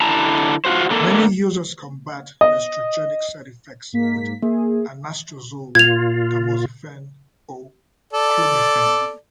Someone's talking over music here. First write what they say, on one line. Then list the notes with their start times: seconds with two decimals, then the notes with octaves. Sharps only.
Many users combat the estrogenic side effects with anastrozole, tamoxifen or clomifene.
0.01 D3 E4 A5 A#5
0.65 F4 F#4 C5
0.90 D3 A#3 A4
2.41 D#5
3.93 G#2 A#3 B6
4.42 A#3 G#4
5.75 A#2 F4 G#6 F7
8.13 A4 D5